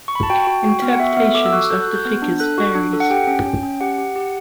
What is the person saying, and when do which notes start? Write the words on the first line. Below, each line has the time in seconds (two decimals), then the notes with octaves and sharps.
Interpretations of the figures varies.
0.08 C#6
0.15 B5
0.23 A5
0.30 F#4 G5
0.47 F#4
0.65 F#4
0.82 B3
0.93 F#5
1.00 F#4 E5
1.17 B3 E5
1.34 A4 D6
1.46 E6
1.53 F#4 F#6
1.70 A4 G6
1.82 F#6
1.88 F#4
1.96 G6
2.05 B3
2.22 D4
2.40 A4 F#6
2.58 F#4
2.75 D4
2.93 A4
3.00 F#5
3.10 G4 G5
3.27 C#4
3.46 C#4
3.63 C#4
3.81 G4 F#5
3.98 G4
4.16 G4